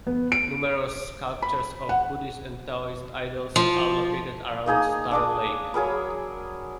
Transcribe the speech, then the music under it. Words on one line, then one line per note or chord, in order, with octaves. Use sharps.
Numerous sculptures of Buddhist and Taoist idols are located around Star Lake.
B3
D7
B5
F#5
F3
A#3 D#4 G#4 A#5
D4 D6 D#6
F#3 G#4 A#4 B5